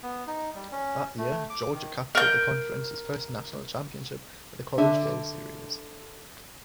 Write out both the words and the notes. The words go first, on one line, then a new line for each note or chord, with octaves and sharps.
That year, Georgia captured the conference's first national championship at the College World Series.
B3
D#4
G3
C#4
A3
D6
D#3
A#4 G6
D3 D4 E5